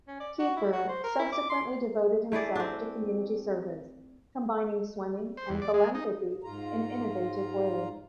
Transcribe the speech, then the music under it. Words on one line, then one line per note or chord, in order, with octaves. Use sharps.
Kiefer subsequently devoted himself to community service, combining swimming and philanthropy in innovative ways.
C#4
D5
F#4
E4
F#4
C5
A#4
E4
D6
C6
A3 E4 G#4 D5
C4 D4
C5
E2
D5
G#3
D#4
G#2 F4 A#5